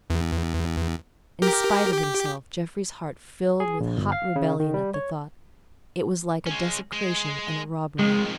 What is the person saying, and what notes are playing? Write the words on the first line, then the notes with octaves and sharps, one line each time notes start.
In spite of himself, Jeffrey's heart filled with hot rebellion at the thought; it was like a desecration and a robbery.
E2
G4 A#4
G4
G#4
A#1
G1
F5
C#3
D#3
G3
C#5
G#3 C#4
G#3
F2 D#3 G#3